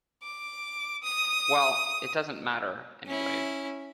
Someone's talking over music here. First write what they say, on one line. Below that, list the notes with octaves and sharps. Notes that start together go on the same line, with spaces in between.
Well, it doesn't matter, anyway.
D6
D#6
C#4 E4